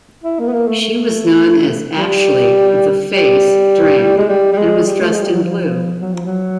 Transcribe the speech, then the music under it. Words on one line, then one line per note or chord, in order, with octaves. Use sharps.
She was known as Ashley "The Face" Drane and was dressed in blue.
E4
A#3
B3
A#3
A3
A3
G3
G3
G#3
G3
G3
G#3
G3
A3
G#3
G3
F#3
F3
F#3
F3
F#3